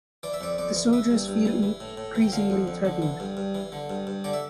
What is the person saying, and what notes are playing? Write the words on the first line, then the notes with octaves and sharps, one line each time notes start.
The soldiers feel increasingly threatened.
E3 D5
E5
F2 D5
F2 D5
E3
E3 E5
G2
G2
E3
E3
A2
A2
E3
G5
D3 F5
F2
F2
D3
E3
G2
G2
E3
D3
G2
G2
D3 D5
E5